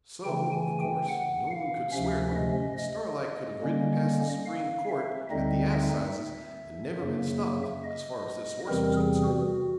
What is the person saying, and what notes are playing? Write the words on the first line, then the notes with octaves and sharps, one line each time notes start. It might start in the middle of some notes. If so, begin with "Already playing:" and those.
So, of course, no one could swear to him, and Starlight could have ridden past the Supreme Court, at the assizes, and never been stopped, as far as this horse was concerned.
C#3 E3 A3 G5
G#5
G5
F#5
F5
D2 C3 F3 A3 C#4 E5
D#5
D#5
D3 G3 A#3 C#4
F5
E5
D2 D3 G3 C4 D#4 D#5
E5
F#2 C#3 F#3 A#3
D#5
E2 C3 E3 G3 C4 A#4
G#4
F#4